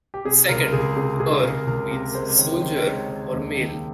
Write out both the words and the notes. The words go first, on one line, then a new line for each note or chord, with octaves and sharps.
The second, "er" means soldier or male.
G4
C3 G#4
C#2 A#4
C#2 G#4
C3 G#4
C#2 G#4
C#2 A#4
C#2 A#4
C3 A#4
G#3 C5
D#3 C#5
D#3 C5
G#3 C#5
D#3 C#5
D#2
D#3